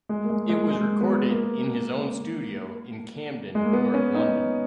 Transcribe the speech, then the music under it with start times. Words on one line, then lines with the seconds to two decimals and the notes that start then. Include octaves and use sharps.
It was recorded in his own studio in Camden, North London.
0.09 G#3
0.24 A#3
0.30 G#3
0.49 G#3
0.70 G#3
1.01 B3
1.31 A#3
3.55 G#3
3.64 A#3
3.73 B3
3.94 C#4
4.15 D#4